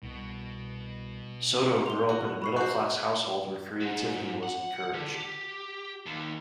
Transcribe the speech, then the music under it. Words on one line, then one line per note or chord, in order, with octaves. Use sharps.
Soto grew up in a middle class household where creativity was encouraged.
C2 B2
C6 G7
F#4
B5 C#6 C7
F#4 C5 C#6
G#2
F#5
D3
G4
D#2